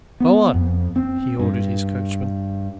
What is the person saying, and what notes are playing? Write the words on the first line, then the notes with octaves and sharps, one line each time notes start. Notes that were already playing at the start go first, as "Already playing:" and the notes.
"Go on!" he ordered his coachman.
B3
F2
C4
G2